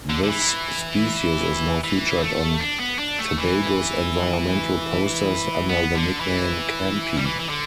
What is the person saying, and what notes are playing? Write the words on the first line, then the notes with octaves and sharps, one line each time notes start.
This species is now featured on Tobago's environmental posters under the nickname "Campy".
D3
D3
E3
E3
A3
D4
B3
D4
A3
E3
B3
D3
E3
G3
E3
E3
D3